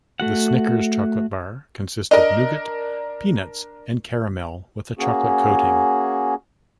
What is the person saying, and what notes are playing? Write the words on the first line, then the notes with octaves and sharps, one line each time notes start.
The Snickers chocolate bar consists of nougat, peanuts, and caramel with a chocolate coating.
A3 F#4 F#5
D4 A#4 D#5
A#3 C#4 F#4 G#4